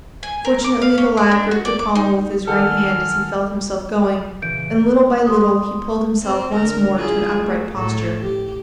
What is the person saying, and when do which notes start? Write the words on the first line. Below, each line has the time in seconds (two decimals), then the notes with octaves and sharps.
Fortunately, the lad gripped the pommel with his right hand as he felt himself going, and little by little he pulled himself once more to an upright posture.
0.23 G#5
0.45 A#4
0.64 D6
0.82 F5
0.98 C#4
1.17 D5
1.31 D4
1.51 F#4
1.65 D5
1.79 D6
1.95 D#4
2.47 D#3 A4 F#5 G#5 F6
4.42 A#2 C#3 E3 G6 D7
4.96 A#4 D#5
5.27 G#3 G4 C6 D#6
6.23 C4
6.55 D3 A#4
6.95 E4 F4 G#4
7.33 A3
7.76 A2 A4
8.18 G4